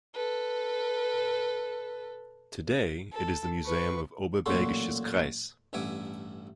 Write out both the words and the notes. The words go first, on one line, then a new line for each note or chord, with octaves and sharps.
Today it is the Museum of Oberbergisches Kreis.
A4 B4
A4
B4 C#6
A1 A#2 F#3 F#4 A4 C6
A1 G2 E5 F#5 G#5 D6